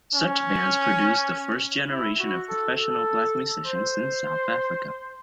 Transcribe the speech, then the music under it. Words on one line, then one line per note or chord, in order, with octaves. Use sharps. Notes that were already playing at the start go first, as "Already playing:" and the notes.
Such bands produced the first generation of professional black musicians in South Africa.
C#4
E4
F#4
A4
A4
C5